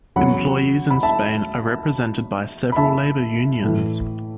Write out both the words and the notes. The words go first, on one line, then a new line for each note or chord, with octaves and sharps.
Employees in Spain are represented by several labor unions.
E2 C#3 F#3 F#5 B5
B5
E5 A5
B5
E5 A5
A2 E3